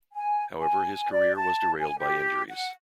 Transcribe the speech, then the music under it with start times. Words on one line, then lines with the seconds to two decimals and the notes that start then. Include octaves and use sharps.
However, his career was derailed by injuries.
0.13 G#5
0.59 G#5
1.11 D5
1.35 A5
1.80 G#5
1.99 G4
2.49 F#5